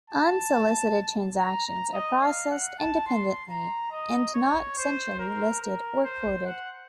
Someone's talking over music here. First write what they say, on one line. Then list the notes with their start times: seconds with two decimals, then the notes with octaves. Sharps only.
Unsolicited transactions are processed independently and not centrally listed or quoted.
0.10 A5
1.37 A#5
1.66 A#5
1.93 D#5
2.22 F5
2.51 F#5
2.79 A5
3.07 C6
3.50 A#5
3.92 D#5
4.35 C#5
4.77 C5
5.19 A#4
5.61 A#4
6.04 C5
6.46 F#5